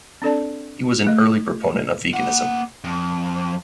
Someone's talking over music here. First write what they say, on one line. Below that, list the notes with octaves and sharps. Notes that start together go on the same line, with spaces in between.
He was an early proponent of veganism.
C4 D4 A4 D5 A5
A3 D#5
A#3 F#5
F2